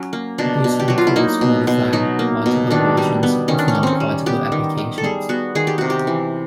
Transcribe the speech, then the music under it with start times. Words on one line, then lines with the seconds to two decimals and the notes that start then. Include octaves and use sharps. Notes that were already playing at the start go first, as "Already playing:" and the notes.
This includes modified portable versions of non-portable applications.
Already playing: F#3 C#4
0.13 A#3
0.38 B2 D4
0.64 B2
0.79 G4
0.88 F#3 F#4
0.98 F4
1.07 E4
1.16 A#3 D#4
1.41 B2
1.67 B2
1.93 F#3 D#4
2.19 A#3
2.46 B2
2.71 D#3 D4
2.97 G3
3.23 B3
3.48 D#3 C#4
3.59 D4
3.68 C#4
3.75 D#3
3.83 C4 C#4
4.00 G3
4.26 B3 G4
4.52 D#3
4.78 D#3
4.98 A4
5.04 G3 G#4
5.29 B3 F#4
5.55 D#3 G#4
5.67 G4
5.78 C3 F#4
5.90 G4
6.07 E3